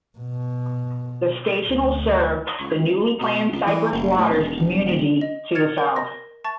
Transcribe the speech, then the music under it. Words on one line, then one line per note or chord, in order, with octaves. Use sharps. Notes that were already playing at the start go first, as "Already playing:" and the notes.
The station will serve the newly planned Cypress Waters community to the south.
B2
D2
C#2
B2
C#2
E3
F#1
A2
E1
E1
D#1
D#5
F6 G#6 A6 C#7
A#4
A#6
E5 A5 C#6 A6